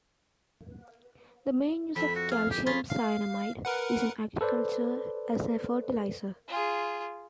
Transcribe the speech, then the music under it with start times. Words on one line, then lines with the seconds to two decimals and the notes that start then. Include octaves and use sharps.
The main use of calcium cyanamide is in agriculture as a fertilizer.
1.96 F2 E5 B5
2.16 F#4
2.31 G#4 F5
2.51 G4
2.66 C#4 F4 G#4 B5
2.90 F5
3.65 A#4 B4 F#5
4.41 A4 B4 C5 D5
6.48 F4 G#4